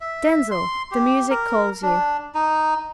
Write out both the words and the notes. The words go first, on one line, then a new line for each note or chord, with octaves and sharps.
Denzil, the music calls you.
E5
C6
G4
A#4
D4
D#4